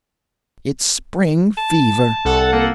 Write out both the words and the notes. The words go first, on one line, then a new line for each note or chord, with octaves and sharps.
It's spring fever.
A5
C2 A4 F#5
A#3